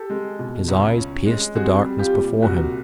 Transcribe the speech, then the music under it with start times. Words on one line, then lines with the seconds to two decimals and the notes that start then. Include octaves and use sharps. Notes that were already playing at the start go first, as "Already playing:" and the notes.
His eyes pierced the darkness before him.
Already playing: G4 A4
0.10 G#3
0.39 B2
0.68 C#2
0.97 C#4
1.26 G#3
1.55 C4 F#4 G#4
1.84 G3
1.99 F4 G4
2.13 A#2
2.42 C2 F#4